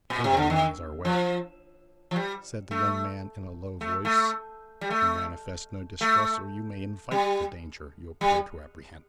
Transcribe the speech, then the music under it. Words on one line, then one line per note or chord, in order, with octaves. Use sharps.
"Here, then, lies our way," said the young man, in a low voice. "Manifest no distrust, or you may invite the danger you appear to apprehend."
A#2
C3
D3
D#3
F3
F3
G3
A3
A3
A3
G3
A3
A3
G3
G3